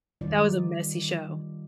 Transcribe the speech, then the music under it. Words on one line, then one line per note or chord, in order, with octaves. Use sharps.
That was a messy show.
D#3 G3 D#4 F4 D5